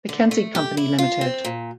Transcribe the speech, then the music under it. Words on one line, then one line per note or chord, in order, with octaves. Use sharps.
McKenzie Company, Limited.
D3
A3
G4
E4
F4
C4
A#2